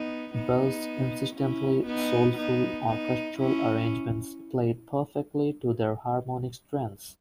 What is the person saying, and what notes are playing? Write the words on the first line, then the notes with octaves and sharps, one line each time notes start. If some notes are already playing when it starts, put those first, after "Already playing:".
Bell's insistently soulful orchestral arrangements played perfectly to their harmonic strengths.
Already playing: B3 D#4
B3 D#4
C#4 E4
B3 D#4
B3 D#4
B3 D#4
C#4 E4